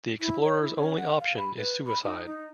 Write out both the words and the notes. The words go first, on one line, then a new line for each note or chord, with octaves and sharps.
The explorer's only option is suicide.
E4
C#5
E4
C#4
F#5
F5
B5
B4
B5
D#4
D#4